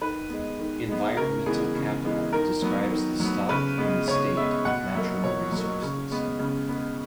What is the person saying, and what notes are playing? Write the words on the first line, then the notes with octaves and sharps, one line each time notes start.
Environmental capital describes the stock and the state of natural resources.
D#3 B4
G#3 B3
D#3
G#3 B3
C#3 A#4
E3 G#3 B3 G#4
C#3
E3 G#3 B3
D#3 A#4
F#3 B3
D#3
F#3 B3
C#3 B4
G#3 B3
C#3 C#5
G#3 B3 E5
B2 F#5
F#3 A#3 E5
B2 C#5
F#3 A#3
C#3
G#3 B3
C#3
G#3 B3